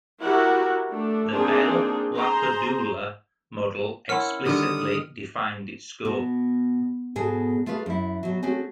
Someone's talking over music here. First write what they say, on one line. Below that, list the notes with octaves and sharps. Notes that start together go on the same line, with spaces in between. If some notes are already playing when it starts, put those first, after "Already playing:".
The Bell-LaPadula model explicitly defined its scope.
E4 F#4 G4 A#4 F#5
A3 D4
A#3 C4 D4 D#4 F4 G#4
G#4 C5 A#5 C6
C#4 E4 A#4 F#5 C6 F6 C#7
D3 D#3 G3 D#6
B2
G#2 B2 G#4 A4
A3 F4 G#4 B4 F5
F#2 E4
B2 F#3
A3 C4 C#4 F#4 G#4